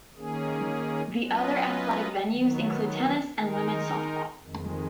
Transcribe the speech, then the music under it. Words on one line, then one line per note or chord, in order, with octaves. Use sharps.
The other athletic venues include tennis and women's softball.
D#3 A#3 C#4 G#4
F#3 C#4 F4 B4 D#5
D#3 F#3 B3
D#3 G#3 D#4 A#4
F2 D#3 G#3